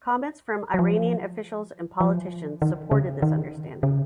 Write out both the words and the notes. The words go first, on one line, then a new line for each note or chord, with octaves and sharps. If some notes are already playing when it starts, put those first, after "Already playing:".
Comments from Iranian officials and politicians supported this understanding.
F#3
F3
F3
D#3
C#3
D#3
C#3